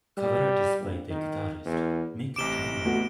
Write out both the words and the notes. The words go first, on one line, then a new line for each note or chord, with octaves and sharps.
Cover art is by their guitarist, Mick Turner.
G3
A#1
D#3
E2
A1 C3 D6 D7 E7 G7
A3 B3 F#4